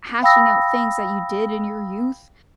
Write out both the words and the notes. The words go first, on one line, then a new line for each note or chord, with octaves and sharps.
hashing out things that you did in your youth,
F5 G5 B5 D#6 E6 A#6